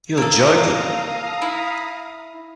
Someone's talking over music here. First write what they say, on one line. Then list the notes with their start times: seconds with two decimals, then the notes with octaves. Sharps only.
You're joking!.
0.18 A#3 A4 F5 A#5 D#6
1.42 E4